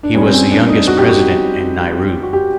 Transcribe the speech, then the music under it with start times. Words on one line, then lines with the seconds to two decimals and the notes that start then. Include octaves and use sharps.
He was the youngest president in Nauru.
0.03 D4
0.14 A#2 G3 B3 C#4
0.27 C4
0.33 C#4
0.51 D4
0.69 D#4
0.88 F#4
0.99 G4
1.09 F#4
2.23 F#4
2.33 G4